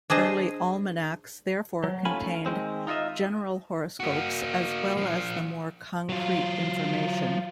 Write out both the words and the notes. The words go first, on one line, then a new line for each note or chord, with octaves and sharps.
Early almanacs therefore contained general horoscopes, as well as the more concrete information.
D4 G#4 C5 D#5
F#3
D#2 A3 C#4 F4 G#5 B5
D#3 G#3 C4
D#4 F4 A4 D#5 E5
A#3 F#4
F3 D4
F#3 F4